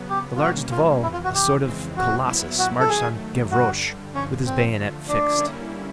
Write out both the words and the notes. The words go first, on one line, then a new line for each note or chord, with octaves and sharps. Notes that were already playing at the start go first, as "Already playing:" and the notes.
The largest of all, a sort of colossus, marched on Gavroche with his bayonet fixed.
Already playing: C#3 F#3 B3
G4
F4
B2 G3 A#3 C#4 F#4
F4
F2 C3 E3 E4
F4
F#4
G4
F2 C#3 E3 G#3 C4
F#4
A#2 F#3 B3 E4
F#4
A4
D#3 F#3 A3 G#4
G2 D3 G3 F#4
G2 D3 F3 C#4
C4
D3 F3 A3
D4
D3 G3 A#3 C#4 E4